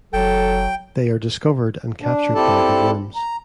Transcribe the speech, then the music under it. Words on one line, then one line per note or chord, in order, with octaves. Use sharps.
They are discovered and captured by the worms.
F#1 F#3 A4 G5
D4
C4 E4 G4 A4 D5 A5
A#5